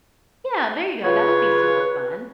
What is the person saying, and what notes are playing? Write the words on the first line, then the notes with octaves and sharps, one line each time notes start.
Yeah, there you go, that would be super fun.
C#3 F4 B4 C#5